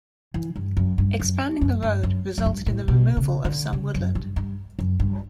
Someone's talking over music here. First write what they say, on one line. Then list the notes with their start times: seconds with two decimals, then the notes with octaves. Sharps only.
Expanding the road resulted in the removal of some woodland.
0.34 E3
0.56 G2
0.77 F#2
0.98 G2
1.20 F#2
1.61 F#2
1.82 G2
2.03 F#2
2.38 F#2
2.46 G2
2.66 A2
2.88 B2
3.17 C#3
3.45 D3
3.73 C#3
3.94 F#2
4.15 G2
4.36 G2
4.79 F#2
5.00 G2